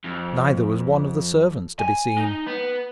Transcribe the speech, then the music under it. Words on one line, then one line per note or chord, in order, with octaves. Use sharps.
Neither was one of the servants to be seen.
F2
G#5
D#4
B3